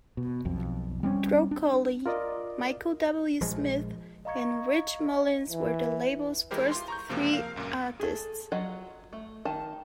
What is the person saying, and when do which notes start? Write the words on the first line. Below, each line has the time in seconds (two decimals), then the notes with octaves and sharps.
Troccoli, Michael W. Smith, and Rich Mullins were the label's first three artists.
0.17 B2
0.45 B1 F2
1.03 G3 C4 C#4
1.51 D4
2.06 F4 A#4 D5 D#5
3.41 A#1 F3 G#3
4.25 D#5 F5 A#5 C#6 G#6 C#7
5.51 E3
6.51 E3 G#3 E4 G4 A#4 C5
6.72 F4 C6
6.88 A#5 C#6 G6
7.09 C#2 F#2 C3 F3 G#3 A#3
7.33 A#4 F5
7.56 C#2 F#2 A#2 A#3
8.00 G#4 A4
8.52 F#3 F4 D#5 F#5
9.13 A3
9.45 D#3 A5